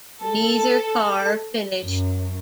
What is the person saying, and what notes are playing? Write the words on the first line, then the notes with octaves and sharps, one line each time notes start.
Neither car finished.
A4
F#2